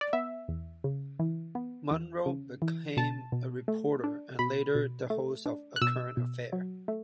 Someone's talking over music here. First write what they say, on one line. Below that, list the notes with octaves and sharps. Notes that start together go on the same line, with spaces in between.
Munro became a reporter and later the host of "A Current Affair".
D5
B3 E5
E2
C#3
E3
B3
E2
C#3
E3
B2 A5
B2
A3
D4
B2 B5
B2
A3
D4
F#6
B2 E6
B2
F#3
A3